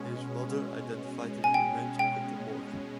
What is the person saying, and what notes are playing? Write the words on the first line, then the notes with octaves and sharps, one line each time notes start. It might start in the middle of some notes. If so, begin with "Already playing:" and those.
His mother identified his remains at the morgue.
Already playing: B2 G#3 C#4
G#5
G5
G5